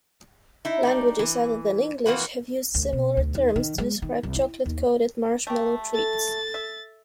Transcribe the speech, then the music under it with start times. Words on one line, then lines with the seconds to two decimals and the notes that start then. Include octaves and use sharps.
Languages other than English have used similar terms to describe chocolate-coated marshmallow treats.
0.65 D#4 E4
0.83 G3 D4 D#4
1.19 E3
2.06 F2 E3 A#3 F#4 B4
2.75 D2
2.93 B2
3.17 D2
3.35 D#2
3.56 D#3
3.78 G#3
4.02 D#3
4.23 C2
4.35 E4
4.66 D#2
5.47 A3 G4
5.94 A4 A6
6.54 E5